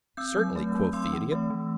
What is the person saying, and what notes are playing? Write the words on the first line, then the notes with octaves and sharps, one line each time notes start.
"Certainly," quoth the Idiot.
C4 E6 G6
F#3
A3
F#3
C4 C6 E6
E3
A3
E3